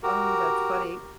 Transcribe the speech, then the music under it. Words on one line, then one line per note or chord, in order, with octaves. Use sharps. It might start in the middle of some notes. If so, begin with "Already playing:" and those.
Oh, that's funny.
F#4 G4 A#4